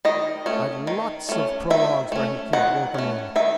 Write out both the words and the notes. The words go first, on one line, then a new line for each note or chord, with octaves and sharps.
I've lots of prologues where he can't work 'em in.
D#3 D#5
A3 C#4
D#3
A3 C#4
D#3 E5
A3 C#4
D#3 F#5
A3 C#4
D#3 E5